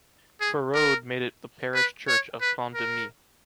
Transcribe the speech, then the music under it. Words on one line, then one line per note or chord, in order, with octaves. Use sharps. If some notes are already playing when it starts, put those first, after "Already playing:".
Féraud made it the parish church of Plan-des-Mées.
G#4
A#4
B4
C#5
B4
A#4